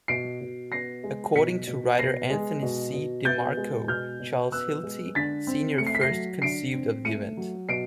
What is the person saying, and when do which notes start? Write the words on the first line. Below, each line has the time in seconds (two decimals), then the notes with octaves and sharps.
According to writer Anthony C. DiMarco, Charles Hilty, Senior first conceived of the event.
0.08 B2 C7 D7
0.41 B2
0.72 B3 A#6 C7
1.04 G#3
1.35 B2 B6 C#7
1.67 B2
1.98 B3 A#6 C7
2.30 G#3
2.63 B2
2.94 B2
3.25 B3 G6 A6
3.57 G#3
3.88 B2 F6 G6
4.20 B2
4.52 B3 E6 F#6
4.83 G#3
5.15 D3 A6 B6
5.47 C4
5.78 A3 C#7
5.87 C7
5.95 B6
6.01 A#6 C7
6.11 F#3
6.42 D3 C7 D7
6.74 C4
7.05 A3 C#7 D#7
7.37 F#3
7.69 B2 C7 D7